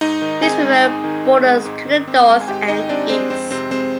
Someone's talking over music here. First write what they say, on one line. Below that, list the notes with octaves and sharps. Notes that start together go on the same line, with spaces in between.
Peace River borders to the north and east.
G#2 D#4 D#5
D#3
C4 G#4 G#5
G#3
G#2
D#3
C4
G#3
G#2
D#3
C4
G#3
G#5
G#2 G4 G5
D#3 D#4 D#5
C4 D4 D5
G#3 C4 C5
F2 C4 C5
C3 C4 C5
G#3 C4 C5